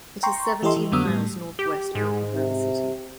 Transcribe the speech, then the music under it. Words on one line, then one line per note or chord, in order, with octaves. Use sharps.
It is seventy miles northwest of Oklahoma City.
G5 A#5 C6 C#6
E3 E4 G4 A4 D#5 C6
E3
F2 D3 F#3 B3 D#6 E6
A2 G3
G4
G#2 G#3
C3